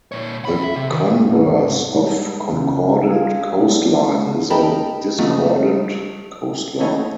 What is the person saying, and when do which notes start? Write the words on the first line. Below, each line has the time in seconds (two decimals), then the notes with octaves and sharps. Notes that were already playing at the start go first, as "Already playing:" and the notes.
The converse of concordant coastline is a discordant coastline.
0.12 A#2 C#5
0.45 E2 B5
0.63 E5
0.76 C3
0.91 D#3
1.30 C2 G#2 B4
1.94 G3 G#3 D4 D#4
2.52 C#2
3.08 F4 G#4 F5
3.59 G3 G#3 B3 D4
4.50 D#4 A#4 G5 A5 B5
5.19 C#3 F3 F#3 A3 D#4
6.80 E3 A3 C#4 D#4